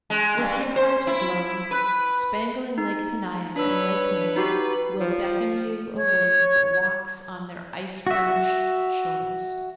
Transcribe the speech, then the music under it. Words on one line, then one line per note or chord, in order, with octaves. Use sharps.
With your heart aglow, spangling Lake Tenaya and Lake May will beckon you away for walks on their ice-burnished shores.
G#3
G2
C5
E4
B4
D#4
D4 B4 C#5 E6
D#4 F#4 G4 B4
F3
C#5
F#4 E5